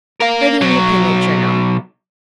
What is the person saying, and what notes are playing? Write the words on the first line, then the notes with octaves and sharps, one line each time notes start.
For the Independent Journal.
A#4 F5
B1 F#3